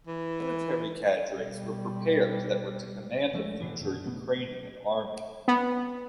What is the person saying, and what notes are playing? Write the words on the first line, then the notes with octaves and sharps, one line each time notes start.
Military cadres were prepared that were to command a future Ukrainian army.
E3
B2 G3
D#1 F3 G#3 A3
G#2 B2 D3 E3
F#2 B2 D#3
A1 B2 A3 B3
B3